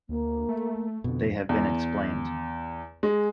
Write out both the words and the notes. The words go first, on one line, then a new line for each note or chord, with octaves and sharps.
They have been explained.
D2 A#3
A3
F2 B2 D3
E2
G#3